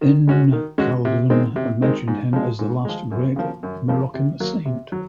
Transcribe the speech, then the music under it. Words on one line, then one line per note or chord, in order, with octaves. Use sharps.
Ibn Khaldun mentioned him as the last great Moroccan saint.
D#3
G#3 C#4 F#4
D#3
G#3 C#4 F#4
C3
D#3 G#3 C4
C3
D#3 G#3 C4
G#2
F3 G#3
G#2
F3 G#3
F#2
C#3 F3 A#3
F#2
C#3 F3 A#3
C3
F#3 A#3
C3
F#3